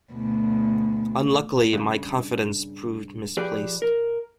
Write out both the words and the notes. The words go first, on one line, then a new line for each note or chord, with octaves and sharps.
Unluckily, my confidence proved misplaced.
D2 B2
G2 C#3
F3 G4 G#4 B4 D5
A#4